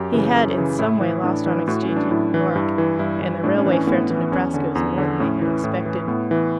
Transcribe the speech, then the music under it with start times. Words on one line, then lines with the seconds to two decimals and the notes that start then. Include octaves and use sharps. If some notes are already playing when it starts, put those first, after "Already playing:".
He had in some way lost on exchange in New York, and the railway fare to Nebraska was more than they had expected.
Already playing: F#2 G4
0.13 C#3 E3
0.34 F#2
0.58 C#3 E3
0.79 A2 E4
1.01 E3
1.23 A2 D4
1.46 E3
1.68 A2 F#4
1.83 C#4
1.89 E3
1.96 D4
2.11 A2 E4
2.34 E3
2.56 G2 E4
2.78 E3
2.99 G2 E4
3.22 E3
3.43 A2 D4
3.58 C#4
3.65 E3
3.73 C#4
3.87 A2 B3
4.10 E3
4.32 E2 C#4
4.54 D3 C#4
4.75 E2
4.98 D3
5.20 A2 C#4
5.42 E3
5.64 A2
5.86 E3
6.08 A2 B3
6.31 E3